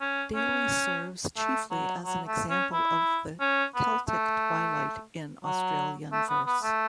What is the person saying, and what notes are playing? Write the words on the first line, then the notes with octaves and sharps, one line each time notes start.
Daley serves chiefly as an example of the Celtic Twilight in Australian verse.
C#4
C#4
A3
F#3
F#3
A3
C#4
E4
C#4
B3
A3
F#3
A3
B3
B3
A3